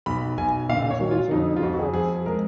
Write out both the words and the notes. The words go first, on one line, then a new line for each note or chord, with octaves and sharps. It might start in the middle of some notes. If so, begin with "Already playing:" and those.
He was always in need of funds.
B1 B5
B1 G#5
A#2 F5
C#5
F#3
F4
F2 D#4
F4
F2 F#4
F#4
G#4
F3 G#4
G#3 A#4